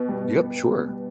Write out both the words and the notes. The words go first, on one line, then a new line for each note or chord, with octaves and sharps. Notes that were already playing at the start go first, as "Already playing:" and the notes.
Yep, sure.
Already playing: B2 B3
G3
B2
B2
B3
B3
G3